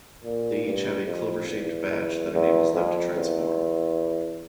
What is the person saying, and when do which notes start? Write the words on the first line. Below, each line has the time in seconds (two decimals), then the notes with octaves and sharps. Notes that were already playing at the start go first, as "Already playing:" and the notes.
They each have a clover-shaped badge that enables them to transform.
0.24 A#2
0.65 G2
1.06 F2
1.48 E2
2.32 E2
2.73 F2
3.14 E2